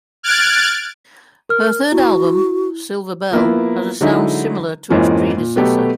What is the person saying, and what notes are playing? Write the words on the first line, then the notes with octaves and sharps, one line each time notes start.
Her third album, "Silver Bell", has a sound similar to its predecessor.
F6 F#6 G#6 A6 D7
A#4 F6
E4 F#4
F3 A#3 B3 E4
D3 F#3 G#3 D#4 E4
F2 G#2 E3 F3 A#3 C#4
A#2
B2 F#3 A3 B3 G4 A4